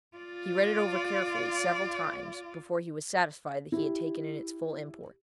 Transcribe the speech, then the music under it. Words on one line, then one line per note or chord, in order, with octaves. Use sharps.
He read it over carefully several times, before he was satisfied that he had taken in its full import.
F4 D5
E4 G4